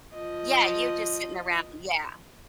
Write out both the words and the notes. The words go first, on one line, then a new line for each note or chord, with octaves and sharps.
Yeah you're just sitting around, yeah.
F3 D#5